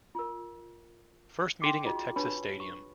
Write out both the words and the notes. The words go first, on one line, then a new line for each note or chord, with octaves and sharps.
First meeting at Texas Stadium.
F4 A#4
G5 C6 D6
D#4 F4 F#4 G#4 D#5
D4 G4 B4 C#5 A5 B5
C#6